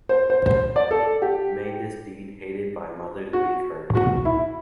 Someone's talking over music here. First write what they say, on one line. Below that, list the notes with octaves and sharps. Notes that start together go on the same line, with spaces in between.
May this deed -hated by mothers- be cursed!
C5
C5
C5
D5
A4
G4
F#4
F#4
E4